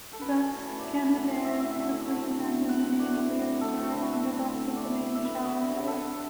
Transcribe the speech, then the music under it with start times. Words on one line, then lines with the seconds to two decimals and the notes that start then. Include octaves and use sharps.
Thus, Canadair quickly abandoned the name "LearStar" and adopted the name "Challenger".
0.13 A4
0.21 B3 B4
0.37 F#3
0.53 A2
0.68 A2
0.79 B3 D5 E5
0.99 F#3
1.14 A2 F#5
1.30 A2
1.45 A3 E5
1.60 F#3 E5
1.75 D3 F#5
1.91 D3
2.07 A3
2.23 F#3
2.38 D3
2.53 D3
2.69 B3 F#5
2.84 F#3
2.89 F#5
2.99 A2 D5
3.14 A2
3.31 B3
3.46 F#3
3.61 A2 A4
3.76 A2
3.83 F#4
3.91 D3 E4
4.02 F#4
4.08 A3
4.13 E5
4.23 A3
4.37 D3
4.54 D3
4.69 A3
4.76 D5
4.84 A3 E5
5.00 D3
5.15 D3 E5
5.25 B4
5.31 B3
5.36 E4
5.45 B3 F#4
5.62 D3
5.77 D3 A4
5.87 B3 A4 B4
6.07 B3